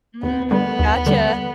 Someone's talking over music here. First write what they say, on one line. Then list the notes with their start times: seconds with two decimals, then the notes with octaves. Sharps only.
Mm, gotcha.
0.22 D#2 B3
0.50 D3 G3 B3
0.79 D#2
1.06 D3 G3